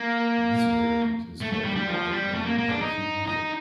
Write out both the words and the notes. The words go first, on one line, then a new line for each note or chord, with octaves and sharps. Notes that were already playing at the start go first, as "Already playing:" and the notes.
This variant is called the Wideband Delphi method.
Already playing: A#3
A3
A3
G3
G3
F3
G3
A3
A#3
A#3
D4
D#4
D#4